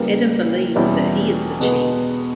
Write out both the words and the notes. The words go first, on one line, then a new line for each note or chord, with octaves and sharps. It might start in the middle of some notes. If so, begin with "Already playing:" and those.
Adam believes that he is the cheese.
Already playing: E2 C#3 E3 G3 A#3
E2 B2 G3 C#4 E4
B2 G#3 B3